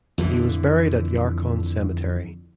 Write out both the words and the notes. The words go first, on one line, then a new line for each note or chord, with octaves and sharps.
He was buried at Yarkon Cemetery.
F2 D3 E3